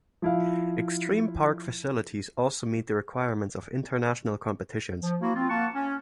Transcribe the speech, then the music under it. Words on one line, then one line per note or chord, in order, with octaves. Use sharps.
Extreme park facilities also meet the requirements of international competitions.
F3 E4 F5
F3
A#3 E4 F#4
C4 F4
A#3 F#5 A5 C#6
C#4